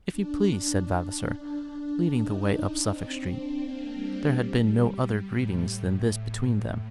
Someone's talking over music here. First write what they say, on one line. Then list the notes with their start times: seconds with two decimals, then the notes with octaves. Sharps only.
"If you please," said Vavasor, leading the way up Suffolk Street. There had been no other greeting than this between them.
0.12 D4
0.47 D4
2.20 D#4
2.54 D4
2.90 C4
3.24 D4
3.59 A#3
3.94 G3
4.98 G3
5.33 A2
6.37 A2